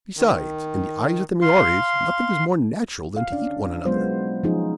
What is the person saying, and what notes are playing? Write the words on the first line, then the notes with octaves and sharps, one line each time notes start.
Besides, in the eyes of the Maories, nothing is more natural than to eat one another.
D#3
F5 C6
F5
C#4 D4 D5
F#3 G#3 B3 F4 C5
F3 F#3 C#4 D#4 F4 G#4